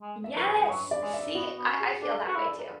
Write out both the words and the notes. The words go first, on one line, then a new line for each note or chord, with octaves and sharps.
Yes. See, I I feel that way too.
G#3
E5
F#3 B4
C#5
G#3
F#3 C#5
D5
G#3
E5
B3 F#4
B3
C#4
G#4
D4 A4
F#4 B4
E4
D5
B4